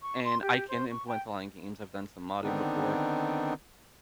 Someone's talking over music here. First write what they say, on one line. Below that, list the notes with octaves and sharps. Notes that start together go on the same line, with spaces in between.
and I can implement a lot in games, I've done some modding before,
C#6
C6
G4
C5
C#6
G5
D3 D#3 B3 C4 D4 D#4